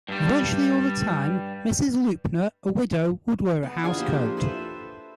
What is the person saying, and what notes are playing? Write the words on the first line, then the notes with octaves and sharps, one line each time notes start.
Virtually all the time Mrs. Loopner, a widow, would wear a housecoat.
G2 G3
B3
D4 F4 G#4 G#5
F3 A#3 G4 C5
A4 B4 C5 E5